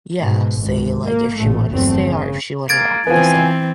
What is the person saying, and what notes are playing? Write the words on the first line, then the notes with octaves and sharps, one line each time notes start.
Yeah, say it like if she wanna stay or if she wanna wrap this up.
G#2 B2
G#1 C#2
A#3
A1 A#2 A3
G1 E2 F#3 A3 C4
C#3
G#3 A#3 G#6 A6 D7
E3 F3 B3 C4 G#5